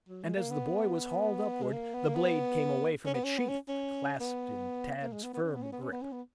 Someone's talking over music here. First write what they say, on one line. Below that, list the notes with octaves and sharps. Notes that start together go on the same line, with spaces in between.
And, as the boy was hauled upward, the blade came away from its sheath, clasped in Tad's firm grip.
F#3
G#3
A#3
B3
G#3
A#3
B3
A#3
B3
C#4
B3
C#4
B3
C#4
C#4
B3
A#3
G#3
B3
B3
C#4
B3
C#4
B3
C#4
B3
C#4
B3